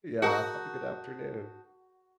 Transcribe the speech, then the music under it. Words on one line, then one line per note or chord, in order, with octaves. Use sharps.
Yeah, have a good afternoon.
F#4 G#4 A#4 A5 A#5 D#6 G6